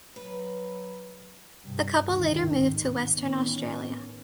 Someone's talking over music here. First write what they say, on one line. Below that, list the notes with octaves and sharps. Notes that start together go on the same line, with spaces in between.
The couple later moved to Western Australia.
F#3 B4
G2 C3
A1 D2 G#2 C3 D#3
A1 A2 D#3 B3 C#4